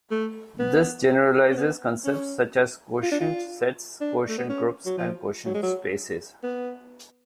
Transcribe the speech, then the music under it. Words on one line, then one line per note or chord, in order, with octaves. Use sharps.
This generalizes concepts such as quotient sets, quotient groups, and quotient spaces.
A3
B3
C#4
B3
C#4
F4
D4
F4
D4
A3
B3
C#4
F#3
F3
F#3
G#3
F#3
B3